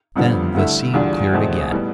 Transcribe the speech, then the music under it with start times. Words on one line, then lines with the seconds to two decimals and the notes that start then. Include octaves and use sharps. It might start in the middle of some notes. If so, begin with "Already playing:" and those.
Then the scene cleared again.
0.16 A1 G2 D3 F3 B3
0.55 G2 D3 A3 E4
0.94 E2 D3 G3 D4 F4
1.33 E2 B2 A3 C4
1.71 A2 G3 B3